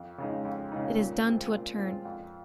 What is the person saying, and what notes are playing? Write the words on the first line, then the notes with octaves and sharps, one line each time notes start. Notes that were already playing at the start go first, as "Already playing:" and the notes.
It is done to a turn.
Already playing: F2
C#3 G#3 D#4
F2
C#3 G#3 D#4
A#2
G#3 C4 F4
A#2
G#3 C4 F4
F2